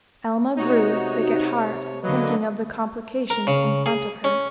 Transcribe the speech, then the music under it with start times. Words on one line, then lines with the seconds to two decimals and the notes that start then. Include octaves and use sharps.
Alma grew sick at heart thinking of the complications in front of her.
0.57 C3 D#4 F#4 C#5
2.03 D3 F#3 A#3 B4 D#5
3.30 A#4
3.47 C#3
3.86 G#4
4.24 C#4